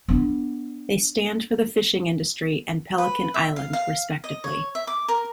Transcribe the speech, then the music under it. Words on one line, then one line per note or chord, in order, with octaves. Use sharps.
They stand for the fishing industry and Pelican Island, respectively.
B3 D4
B4
E5
F5
F5
D#5
C#5
E5
D6
A#4